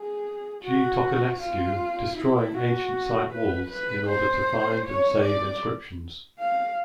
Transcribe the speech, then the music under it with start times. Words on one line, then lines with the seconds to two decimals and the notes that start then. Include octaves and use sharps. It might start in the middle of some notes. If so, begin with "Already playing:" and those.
G Tocilescu, destroying ancient site walls, in order to find and save inscriptions.
Already playing: G#4
0.63 F#4
1.39 F4
2.16 E4
2.54 F#4
3.32 B4
3.71 B4
4.10 C5
4.85 C#5
5.24 D5
6.40 F5